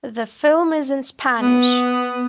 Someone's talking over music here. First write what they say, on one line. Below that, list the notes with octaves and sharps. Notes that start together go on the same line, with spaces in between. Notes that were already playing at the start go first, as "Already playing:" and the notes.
The film is in Spanish.
B3